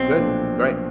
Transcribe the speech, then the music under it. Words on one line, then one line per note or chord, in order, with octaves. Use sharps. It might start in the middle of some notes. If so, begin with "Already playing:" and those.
Good. Great.
Already playing: B1 C4
A#2 F3 A3 D4